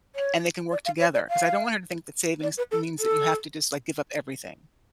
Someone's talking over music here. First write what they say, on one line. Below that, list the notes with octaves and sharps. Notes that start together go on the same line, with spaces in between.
and they can work together ‘cause I don't want her to think that savings means that you have to just, like, give up everything.
C#5
D5
F5
C#5
D5
F5
D5
B4
A4
A4